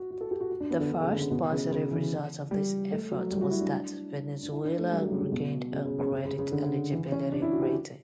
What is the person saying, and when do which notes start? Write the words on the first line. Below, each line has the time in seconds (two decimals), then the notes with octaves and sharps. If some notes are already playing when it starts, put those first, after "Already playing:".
The first positive result of this effort was that Venezuela regained a credit-eligibility rating.
Already playing: F#4
0.11 F#4
0.21 A4
0.31 G4
0.40 F#4
0.51 F#4
0.61 D4
0.70 B3
0.80 D3
0.91 D3
1.01 C#3
1.11 D3
1.21 C#3
1.30 B2
1.51 C#3
1.71 C#3
1.91 E3
2.51 G3
2.92 A3
3.11 F#3
3.31 G3
3.41 F#4
3.51 E4
3.61 D4
4.43 D4
4.52 E4
4.65 D4
4.79 A3
4.92 G3
5.02 F#3
5.12 C#3
5.22 C#3
5.32 B2
5.72 C#3
5.86 C#3
5.99 C#3
6.12 C#3
6.25 C#3
6.39 C#3
6.52 D3
6.92 E3
7.12 C#4
7.32 D4
7.42 E4
7.52 F#4
7.62 G4